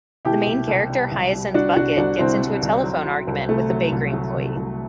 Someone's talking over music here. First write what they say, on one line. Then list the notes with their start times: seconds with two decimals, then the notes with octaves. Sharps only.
The main character, Hyacinth Bucket, gets into a telephone argument with a bakery employee.
0.25 B2 E4 G4
0.47 C2
0.67 C2
0.90 G3
1.12 C2
1.33 G3
1.54 G3 D4 F#4
1.76 C2 D4 F#4
1.97 C2 D4 F#4
2.19 C2 C4 E4
2.41 G3
2.63 C2
2.84 F#3
3.06 F#3
3.27 C2
3.49 C3 A3
3.70 F#3
3.92 C2
4.13 F#3
4.35 C3
4.56 C2